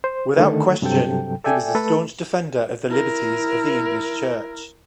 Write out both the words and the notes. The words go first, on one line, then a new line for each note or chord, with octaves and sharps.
Without question he was a staunch defender of the liberties of the English church.
C5
D3 D#3 A3 A4
G2 C3 F#3 A4 G5
A4 D5 E5 G5 G#5
A3 A4 B4
E4 A#4